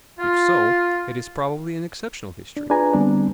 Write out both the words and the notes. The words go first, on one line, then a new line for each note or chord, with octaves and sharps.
If so, it is probably an exceptional history.
F4
D4
D4 F4 G#4 B4 G#5 A#5
D3 G3 B3 C4 D4